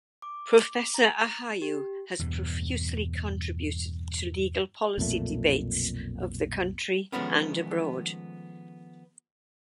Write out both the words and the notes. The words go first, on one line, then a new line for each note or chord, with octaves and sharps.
Professor Ahuja has profusely contributed to legal policy debates of the country and abroad.
D6
A#5
G4
E2 G2 B2
B1 F2 A#2 A3
D#3 F3 G#3 A3 B3 C#4